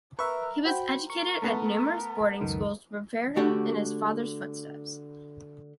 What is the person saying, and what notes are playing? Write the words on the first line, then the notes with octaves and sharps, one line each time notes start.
He was educated at numerous boarding schools to prepare him in his father's footsteps.
A#4 B4 E5 C#6
F#4 C5 G5 B5
A#4 C#6
A3 B3
C#2 F#2 D#3
D3 A3 F#4 G4 F#5